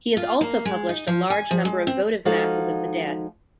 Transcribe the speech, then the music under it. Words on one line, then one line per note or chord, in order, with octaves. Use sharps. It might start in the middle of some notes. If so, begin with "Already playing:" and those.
He has also published a large number of votive masses of the dead.
F4
A#3
G#3
D#4
F3
G#5
F3
G#3
C4
F3 G#3 D#4 F#4 A4 F5